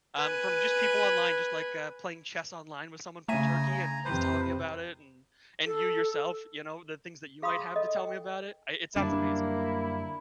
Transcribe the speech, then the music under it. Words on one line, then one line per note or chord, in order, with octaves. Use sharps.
um, from just people online, just, like, uh, playing chess online with someone from Turkey and he's telling me about it, and and you yourself, you know, the things that you might have to tell me about it. I it sounds amazing.
B4 G#5
C#3 A3 E5 G#5 A#5 D#7
F2 C3 B4 C5
A4
G#4 F5 B5 C6 D#6
A4 D#5
G5
F#2 D3 G3 A#3 D4 E4